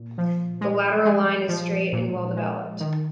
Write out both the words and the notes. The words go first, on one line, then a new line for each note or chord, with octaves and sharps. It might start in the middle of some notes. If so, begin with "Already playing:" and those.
The lateral line is straight and well-developed.
Already playing: A#2
F3
G#3
G#3
F3
A#2
G#3
D#3